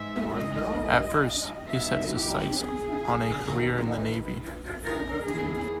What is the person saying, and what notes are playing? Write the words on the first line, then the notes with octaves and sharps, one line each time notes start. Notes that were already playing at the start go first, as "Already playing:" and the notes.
At first, he set his sights on a career in the Navy.
Already playing: G#2 E3 G#3 D#4 E5
D#5
B2 G#3 B3 D#4 E5
G4
G#4
D#2 D#3 A#3 D#4 A#4
B4
A#4
E2 D#3 A#3 E4 G#4